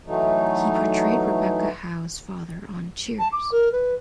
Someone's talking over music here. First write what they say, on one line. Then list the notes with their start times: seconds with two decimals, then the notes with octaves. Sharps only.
He portrayed Rebecca Howe's father on "Cheers".
0.06 E3 F#3 A3 D#4
3.19 A5
3.32 D6
3.52 A#4
3.72 B4